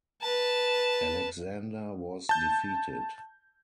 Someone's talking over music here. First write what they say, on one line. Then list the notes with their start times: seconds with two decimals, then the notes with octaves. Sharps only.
Alexander was defeated.
0.21 B4 A5
2.29 A5 G6